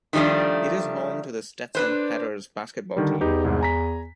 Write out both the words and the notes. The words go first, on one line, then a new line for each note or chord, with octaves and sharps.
It is home to the Stetson Hatters basketball team.
D#3 F3 G3 A3 D4
D4 B4 C5
D3 D#3 G3
E2 D#4 G4 B4
C2 G#2
G#5 A#5 B6